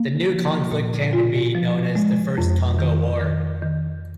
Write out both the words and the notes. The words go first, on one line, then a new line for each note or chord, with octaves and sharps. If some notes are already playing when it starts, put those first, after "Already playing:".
This new conflict came to be known as the First Congo War.
Already playing: A#3
F3
A#2
F4
F3
G#3
F2
D#3
D#3
D#3